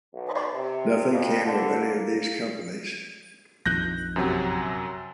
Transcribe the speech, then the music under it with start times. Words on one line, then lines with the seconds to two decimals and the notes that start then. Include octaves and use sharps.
Nothing came of any of these companies.
0.14 B1
0.55 C3
1.12 F2
1.44 D3
1.80 A#3
3.66 A#1 F2 D#3 F#6 G6 A#6
4.16 F#2 C3 F#3